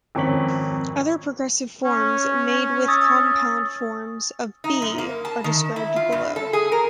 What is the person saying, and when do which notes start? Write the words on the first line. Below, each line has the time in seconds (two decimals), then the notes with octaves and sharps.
Other progressive forms, made with compound forms of "be", are described below.
0.15 G#1 F2 C#4 C#6 B6 F#7
1.85 C#4
2.88 D#6 E6 A6
4.64 D#4
4.82 F#2
4.98 A#3
5.25 A5
5.44 D#3
5.76 E4
5.96 F4
6.12 G2
6.36 A4
6.53 G#4
6.72 A#4